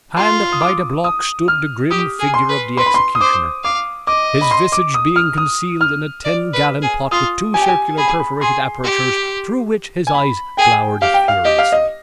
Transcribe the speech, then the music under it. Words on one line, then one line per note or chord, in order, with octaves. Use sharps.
Hand by the block stood the grim figure of the executioner, his visage being concealed in a tengallon pot with two circular perforated apertures through which his eyes glowered furiously.
F4 C6
D#6
D6
D#6
F6
G4 D#6
G#4
C6
B4
B4 C6
B5
C6
D#6
C5 D6
F5 D6
D#5 D6
B5
C6
D6
D#6
F6
D#6
F6
D5
B4
G#4
F4 D#6
G4 G#5
G5
G#5
G#4 B5
G#5
B5
G#4 C6
G4
G#5
B5
G#4 G5
G4 F5
G5
F5
G4 D#5
F5
D#5